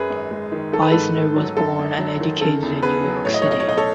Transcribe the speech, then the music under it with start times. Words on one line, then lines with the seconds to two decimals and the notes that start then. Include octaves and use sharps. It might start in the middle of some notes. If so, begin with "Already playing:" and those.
Eisner was born and educated in New York City.
Already playing: F#2 G#4 B4
0.10 G#1
0.31 G#3
0.52 D#3
0.73 D#3 A4
0.82 B4
0.91 G#2 A4
1.15 A3
1.36 F#3
1.57 F#2 A4
1.79 G#1
1.98 F#3
2.20 D#3
2.41 C#3 A4
2.63 E2
2.83 B3 G#4 B4
3.04 F#3
3.25 A2 C#5
3.34 D#5
3.42 C#5
3.46 B1
3.51 D#5
3.60 C#5
3.68 B1 D#5
3.77 A4 C#5